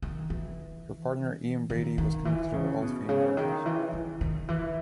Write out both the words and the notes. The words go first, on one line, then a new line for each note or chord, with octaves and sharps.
Her partner Ian Brady was convicted of all three murders.
D#3
E3
D#3
D#3
E3
C#3
B2
C#3
D#3
E3
D#3
D#3
E3